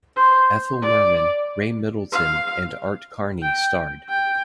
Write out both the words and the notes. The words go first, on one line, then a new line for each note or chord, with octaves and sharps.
Ethel Merman, Ray Middleton, and Art Carney starred.
C5
D5
F5
G5
G5